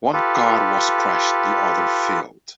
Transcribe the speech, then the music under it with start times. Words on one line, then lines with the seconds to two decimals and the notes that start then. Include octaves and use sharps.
One car was crashed, the other failed.
0.13 F4 G4 A4 B4